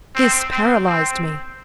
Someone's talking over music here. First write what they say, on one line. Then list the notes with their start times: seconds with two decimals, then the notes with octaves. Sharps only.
This paralysed me.
0.15 C4
0.51 C4
0.86 C4